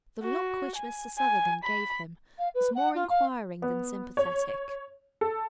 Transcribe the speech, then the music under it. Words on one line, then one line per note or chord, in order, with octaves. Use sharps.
The look which Mr. Sutherland gave him was more inquiring than sympathetic.
F#4
G#5
G#5
B5
F5
B4
F#5
F4
F5
B3
C#5
A4